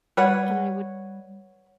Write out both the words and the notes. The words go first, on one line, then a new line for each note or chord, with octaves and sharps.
and I would
G3 B4 C#5 F#5